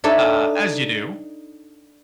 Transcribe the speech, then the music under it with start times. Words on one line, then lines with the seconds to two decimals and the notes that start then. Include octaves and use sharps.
uh, as you do,
0.04 D4 D#4 A4 C#5 E5